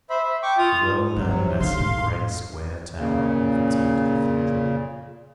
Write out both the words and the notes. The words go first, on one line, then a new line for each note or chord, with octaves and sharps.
The well-known massive gray square tower of its old Cathedral?
C5 E5 B5
E5
G5 C#6 D6
F4 D#6
C3 F3 F#3
D3 D#4 F5 C6
A2
A#2 C#3